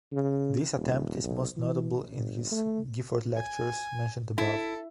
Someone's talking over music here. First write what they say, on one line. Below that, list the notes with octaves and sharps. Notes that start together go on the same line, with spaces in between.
This attempt is most notable in his Gifford Lectures, mentioned above.
C#3
D#1
B1
E3
G1
A3
G#5
E4 A4